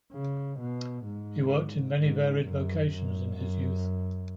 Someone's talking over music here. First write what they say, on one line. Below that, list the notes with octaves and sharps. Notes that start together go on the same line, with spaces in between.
He worked in many varied vocations in his youth.
C#3
B2
G#2
G#2
F#2
F#2
F#2